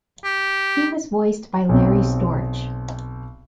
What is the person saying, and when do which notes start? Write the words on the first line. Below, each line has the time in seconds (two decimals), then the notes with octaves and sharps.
He was voiced by Larry Storch.
0.24 G4
1.69 B1 C4